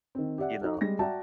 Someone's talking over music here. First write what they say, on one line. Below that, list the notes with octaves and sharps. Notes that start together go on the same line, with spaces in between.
you know?
D#3 C4
G4 D5 E5 F#5
D#4 F#4 A4
G3 G#3 A#6
F#4 D5 E5 G5 A5 A#5